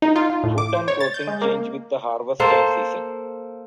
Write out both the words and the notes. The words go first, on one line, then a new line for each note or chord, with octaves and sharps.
Food and clothing change with the harvest and season.
D#4
F4
F4
A2
D6
C5
C#5
A6
G6
G#3
A#3
A#3 A4 C5